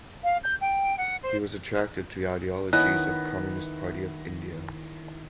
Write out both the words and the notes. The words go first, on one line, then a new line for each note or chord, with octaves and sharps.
He was attracted to ideologies of Communist Party of India.
F5
G6
G5
F#5
C5
D#3 B3 C#4 E4 D#5 F#6